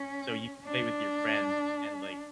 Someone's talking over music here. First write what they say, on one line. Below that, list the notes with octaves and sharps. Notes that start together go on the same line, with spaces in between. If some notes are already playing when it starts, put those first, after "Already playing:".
So, you can play with your friends and, like,
Already playing: C#4
D4